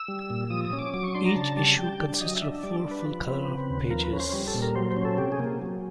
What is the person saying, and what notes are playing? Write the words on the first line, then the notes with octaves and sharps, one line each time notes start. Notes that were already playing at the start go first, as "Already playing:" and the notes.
Each issue consisted of four full-color pages.
Already playing: E6
G3
A#2
F3 D#6
D#6
C#4
D6
F#3 D6
C#6
D4 C6
A#5
C#3 A5
G3 A5
G3 G5
G5
D4
F#3 D#5
E5
D4
G3 D5
D4
B4
F3
C4
C#3
D#2
F3 A#4
B4
C#4
C5
G3
A4
A#2
A#4
F#3 C5
C5
C#4
A4
C3 G4
G#4
A#3
F#3